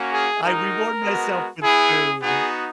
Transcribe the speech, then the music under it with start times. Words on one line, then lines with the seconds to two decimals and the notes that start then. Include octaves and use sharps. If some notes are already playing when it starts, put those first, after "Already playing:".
I reward myself with food,
Already playing: A#3 C#4 F#4
0.12 G#4
0.42 G#3 D#4 F#4 A#4
1.02 G#3 B3 F#4
1.62 B3 E4 G#4
2.22 B3 D#4 F#4 G#4